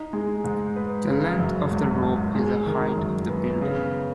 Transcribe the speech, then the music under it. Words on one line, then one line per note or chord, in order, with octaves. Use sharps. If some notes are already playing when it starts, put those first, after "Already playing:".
The length of the rope is the height of the building.
Already playing: D#4
G#3
G#2
B4
C#3
F#2
G#1
G#1
G#3
D#3
F#2
B3
C#3